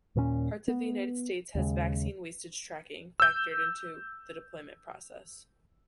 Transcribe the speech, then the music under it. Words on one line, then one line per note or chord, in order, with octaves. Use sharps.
Parts of the United States has vaccine wastage tracking factored into the deployment process.
D#2 A#2 G3 C#4
B3
D#2 C#3 G#3
E6 G6